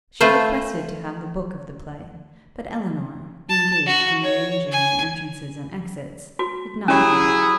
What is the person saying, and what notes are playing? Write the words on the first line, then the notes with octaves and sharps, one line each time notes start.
She requested to have the book of the play; but Elinor, engaged in arranging the entrances and exits, did not heed her.
A3 F4 B4 C5
A5
F#4
C#5
G#5
F#4
F#3 C#4 E4 G4 G#4